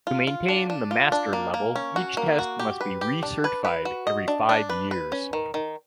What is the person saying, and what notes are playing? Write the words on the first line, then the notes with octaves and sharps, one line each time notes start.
To maintain the Master Level, each test must be recertified every five years.
F4
F4
D4
D4
F4
D4
A#3
A#3
C#4
F#4
A#3
F#4
G4
B4
G4
D4
B4
B4
F#4
D#5
D4
D4
B4
B4
C#4
D#3
D#3